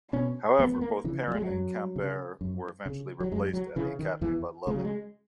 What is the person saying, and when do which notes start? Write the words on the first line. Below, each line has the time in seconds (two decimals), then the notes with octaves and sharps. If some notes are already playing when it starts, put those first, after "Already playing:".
However, both Perrin and Cambert were eventually replaced at the academy by Lully.
0.13 B2 C#4
0.59 E2 B3
0.72 B3
0.81 A#3
1.04 C#3 E3
1.28 F#3
1.35 G#3
1.42 F#3
1.50 F#2
1.96 C#3
2.41 F#2
2.86 C#3
3.20 F#3
3.32 F#2 G#3
3.53 F#3
3.76 C#3 E3
3.99 D#3
4.21 E2 E3
4.67 C#3 G#3
4.76 F#3
4.85 G#3